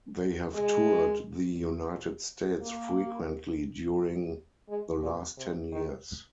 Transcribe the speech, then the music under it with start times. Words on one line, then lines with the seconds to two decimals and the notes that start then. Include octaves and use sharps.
They have toured the United States frequently during the last ten years.
0.54 G#3
2.62 A#3
4.69 G#3
5.02 A#2
5.37 C3
5.72 D#3